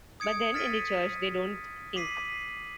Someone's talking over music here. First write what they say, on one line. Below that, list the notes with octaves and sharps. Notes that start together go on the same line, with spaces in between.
But then in the Church they don't think.
D#6 G#6 C#7 D7
F6 A6 B6 D7 D#7
D6 B6 C7 D#7 F#7